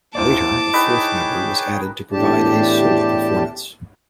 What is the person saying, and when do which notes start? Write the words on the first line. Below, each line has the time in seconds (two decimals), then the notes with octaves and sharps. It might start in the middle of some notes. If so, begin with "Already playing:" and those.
Later, a fourth member was added to provide a solo performance.
0.15 D#2 E4 C5 D5 A5 D6
0.73 D#4 G#4 B4 C#5 G5
2.12 E2 A2 D4 G4 A5